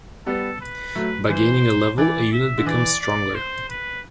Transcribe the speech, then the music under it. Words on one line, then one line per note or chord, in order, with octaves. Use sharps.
By gaining a level a unit becomes stronger.
G3 B3 A4
B4
F#3 A3
E3 C5
E3 D5
E5
D3
E3 D5
D5
C5
B4